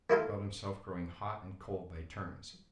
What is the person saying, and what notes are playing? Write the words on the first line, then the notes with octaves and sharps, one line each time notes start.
He felt himself growing hot and cold by turns.
A#3 E4 F4 A4